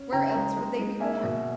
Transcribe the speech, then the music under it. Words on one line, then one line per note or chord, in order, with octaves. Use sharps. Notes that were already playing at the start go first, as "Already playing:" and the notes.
"Where else would they be born?"
Already playing: C#4
C#3 G5 A#5
G#3
G#3
G#3
A#3 E5 G#5
B2